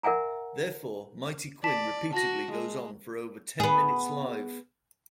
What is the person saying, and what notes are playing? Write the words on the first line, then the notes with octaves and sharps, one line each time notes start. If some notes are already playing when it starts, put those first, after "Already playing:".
Therefore, "Mighty Quinn" repeatedly goes on for over ten minutes live.
A#4 E5 F#5 G#5 A#5
D5 A5 B6
F#4 A5 A#6
G#3
B3 G#4